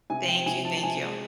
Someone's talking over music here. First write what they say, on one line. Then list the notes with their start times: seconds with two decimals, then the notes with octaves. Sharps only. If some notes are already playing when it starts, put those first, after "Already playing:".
Thank you, thank you.
0.10 C3 G#5
0.28 F3 G5
0.46 C3 G#5
0.64 F3 A5
0.77 A5
0.83 C3 G#5
1.01 G#3